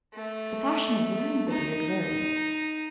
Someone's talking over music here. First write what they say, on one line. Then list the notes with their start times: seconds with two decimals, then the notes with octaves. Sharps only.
The fashion of wearing the beard varied.
0.14 A3
1.49 D#4